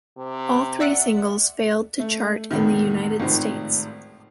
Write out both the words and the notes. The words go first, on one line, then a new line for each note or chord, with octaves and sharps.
All three singles failed to chart in the United States.
C3
D5 E5 F#5
A3
E2 A2 C3 D#3
G#1 A2 C3 D#3 F3